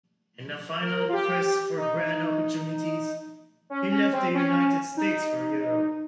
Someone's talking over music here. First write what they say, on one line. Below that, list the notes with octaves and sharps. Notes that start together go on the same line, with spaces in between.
In a final quest for grand opportunities, he left the United States for Europe.
A#4
F4
G4
D#4
C#4
C#4
C4
C#4
D#4